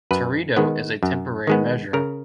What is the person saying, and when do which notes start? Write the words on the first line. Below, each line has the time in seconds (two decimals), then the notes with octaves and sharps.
Teredo is a temporary measure.
0.11 F#2 B4
0.57 D#3 G#3 B3
1.03 F#2
1.47 D#3 G#3 B3
1.93 C#3 A#4